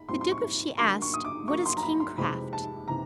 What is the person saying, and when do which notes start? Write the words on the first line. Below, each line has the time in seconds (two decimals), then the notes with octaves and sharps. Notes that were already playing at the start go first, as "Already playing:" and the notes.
The Duke of She asked, What is kingcraft?
Already playing: B5
0.08 A#2 G3 C4 E4 C6
0.21 C6
0.32 C#6
0.78 D3 F#3 A#3 C6
1.02 C#6
1.14 D#6
1.25 D6
1.48 D3 F#3 A#3 C#6
1.66 C6
1.77 A#5
1.83 B5
2.00 C6
2.18 F2 C3 E3 G#3 C4 B5
2.53 A5
2.88 C3 E3 A#5